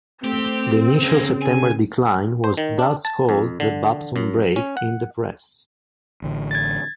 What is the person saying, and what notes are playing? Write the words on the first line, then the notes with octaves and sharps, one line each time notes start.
The initial September decline was thus called the "Babson Break" in the press.
A3 C4 G4
C#3 A#3 C#4
G#5
C5
D#3
D4
A5
F2
D3
F#2
C#4
F#5
A1 D3
G#6 A6